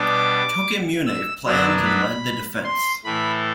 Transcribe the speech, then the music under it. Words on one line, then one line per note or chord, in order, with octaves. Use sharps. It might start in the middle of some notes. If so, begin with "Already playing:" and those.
Tokimune planned and led the defence.
Already playing: B2 G3 B3 D4 D6
E6
F#2 F#3 B3 D4 E6
B5
C6
A2 E3 A3 B5